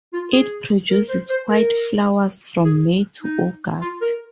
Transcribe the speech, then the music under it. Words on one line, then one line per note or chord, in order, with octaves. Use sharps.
It produces white flowers from May to August.
F4
G#4
A#4
C5
C5
A#4
G#4
D#4
F4
A#4